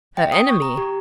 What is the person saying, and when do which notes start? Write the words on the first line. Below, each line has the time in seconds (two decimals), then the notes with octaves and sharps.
"Her enemy?"
0.17 G5
0.32 D#6
0.49 C#6
0.62 A#5
0.77 G4